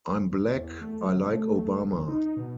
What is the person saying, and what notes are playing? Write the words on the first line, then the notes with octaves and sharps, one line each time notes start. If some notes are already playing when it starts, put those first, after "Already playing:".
I'm black; I like Obama.
E2
A3
F#3
C3
A3
A1
D2
D#4
B2